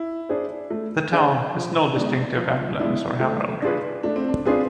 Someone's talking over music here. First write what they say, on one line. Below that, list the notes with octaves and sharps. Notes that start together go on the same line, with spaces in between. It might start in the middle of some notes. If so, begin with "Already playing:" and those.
The town has no distinctive emblems or heraldry.
Already playing: E4
D4 G#4 C5
A3
D4 G#4 C5
F3
G#3 B3 D4
F3 F4
G#3 B3 D4 E4
A3
D4 F4 G#4 B4
A3 D4
C4
D4
C4 D4 F4 G#4 B4